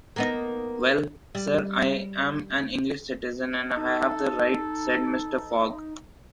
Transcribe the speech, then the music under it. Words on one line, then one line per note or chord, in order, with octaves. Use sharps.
Well, sir am an English citizen and i have the right, said Mr, Fogg.
A#3 B3 D#4
G3
D#4 A4